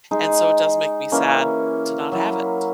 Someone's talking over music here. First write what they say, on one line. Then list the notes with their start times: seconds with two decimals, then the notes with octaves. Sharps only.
and so it does make me sad to not have it.
0.11 G#3 D#4 G#4
1.12 E3 A#3 C#4
2.12 F#3 A#3 E4